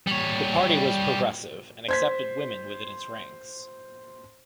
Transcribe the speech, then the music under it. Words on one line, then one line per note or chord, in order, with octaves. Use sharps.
The party was progressive and accepted women within its ranks.
G3 C#5
C5 G#6 B6